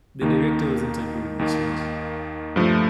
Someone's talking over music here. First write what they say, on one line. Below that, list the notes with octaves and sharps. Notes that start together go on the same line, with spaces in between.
The director wasn't happy with the change.
D#2 D#3 A#3 D#4
D#2 D#3 A#3
G2 F3 A3